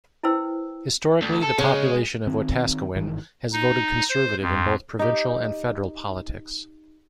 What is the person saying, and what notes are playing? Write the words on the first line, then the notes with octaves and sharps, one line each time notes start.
Historically the population of Wetaskiwin has voted Conservative in both provincial and federal politics.
E4 B4 C5 G5 E6
D2
A4
C#3 G#3
D#3 C4
G1 G#2 D#3 E3
D#4
C5
F2
D#4 G4